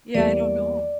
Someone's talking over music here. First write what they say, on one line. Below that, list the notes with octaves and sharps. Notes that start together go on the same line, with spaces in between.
Yeah, I don't know.
E2 E3 G3 A#3 D5